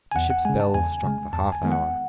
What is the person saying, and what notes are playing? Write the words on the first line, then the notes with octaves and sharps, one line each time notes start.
The ship's bell struck the half-hour.
G#5
E2 F#5
F#5
C#3 G#3 G#5
A5
E2 G#5
C#3 G#3
E2 A5
G#5
D#3 G#3 B3
F#5